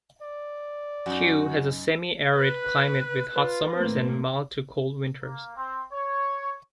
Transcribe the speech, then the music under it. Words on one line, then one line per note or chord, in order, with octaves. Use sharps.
Cue has a semi-arid climate with hot summers and mild to cool winters.
D5
F#2 D#4 F#4
B4 F#6
F4 B4
A2 A3 A#3 C4
A#3
C4
C#5